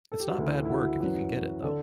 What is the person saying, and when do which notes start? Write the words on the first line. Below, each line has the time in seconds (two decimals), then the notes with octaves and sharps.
It's not bad work if you can get it, though.
0.12 A4
0.20 G4
0.29 F#4
0.37 D2 C#3 E3 E4
0.65 E4
0.69 F#4
1.00 F#2 E3 F#4
1.63 D3 A4